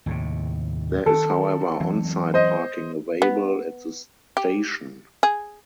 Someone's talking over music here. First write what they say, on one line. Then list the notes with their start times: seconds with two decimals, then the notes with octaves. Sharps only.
There is however onsite parking available at the station.
0.06 D#2 A2 C3
1.06 D#3 A4
1.80 E3 F#3 C4
2.34 C5 D#5
3.22 B3
4.37 G4
5.23 G#4